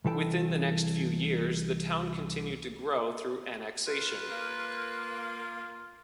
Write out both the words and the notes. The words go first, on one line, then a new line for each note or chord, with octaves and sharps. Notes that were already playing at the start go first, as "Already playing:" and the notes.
Within the next few years, the town continued to grow through annexation.
C2 E3 A4 G5
F4 B4
A#3